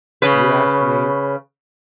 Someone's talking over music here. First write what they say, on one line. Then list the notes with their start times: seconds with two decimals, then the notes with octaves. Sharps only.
you ask me,
0.22 C#3 B4